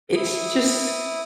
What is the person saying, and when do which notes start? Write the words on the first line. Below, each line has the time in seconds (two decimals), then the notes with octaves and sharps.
it's just
0.16 E4 D#6